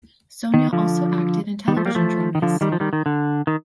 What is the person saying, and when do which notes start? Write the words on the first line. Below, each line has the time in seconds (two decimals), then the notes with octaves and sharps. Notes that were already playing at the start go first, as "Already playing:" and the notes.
Sonia also acted in television dramas.
0.54 D#3
0.73 D3 F3
1.68 D#3 G3
1.77 F3 A3
1.86 G3 A#3
1.95 F3 A3
2.35 D#3
2.42 D3 F3
2.61 D#3 G3
2.72 F3
2.80 D#3 G3
2.93 D#3
3.06 D3
3.47 D#3